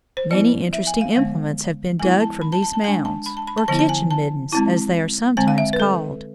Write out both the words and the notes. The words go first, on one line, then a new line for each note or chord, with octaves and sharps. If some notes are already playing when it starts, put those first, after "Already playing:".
Many interesting implements have been dug from these mounds, or kitchen middens as they are sometimes called.
C5
F3 B3 E4 D5
E5
G#5
F5
D3 G#3 B3 F5
F3 G#3 B3 E4 G#5
A5
B5
A5
A5
A5
G#3 D4 G#5
A5
B5
A5
B5
A5
D3 F3 B3 E4 A5
A5
G#5
A5
G#3 C4 E4 A5
D3 G#3 C4 G#5
F5
E5
B4
A4